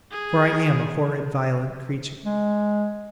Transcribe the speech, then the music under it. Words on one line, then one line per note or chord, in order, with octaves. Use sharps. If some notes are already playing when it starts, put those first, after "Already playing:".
For I am a horrid, violent creature.
G#4
G#3